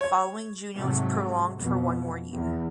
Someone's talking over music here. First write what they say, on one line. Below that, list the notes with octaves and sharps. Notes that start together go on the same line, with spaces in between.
Following June it was prolonged for one more year.
C#5
G#2 C3 F#3 A3
F2 B2
E2